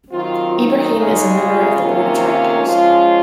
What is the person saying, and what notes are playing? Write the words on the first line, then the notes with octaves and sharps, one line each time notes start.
Ibrahim is a member of the board of directors.
D#3 F#3 C4 F4
D#4
C#3 G#3 C#4
F4
C3 D#3 A#3 C#4
F4
F3 G#3 C#4 F4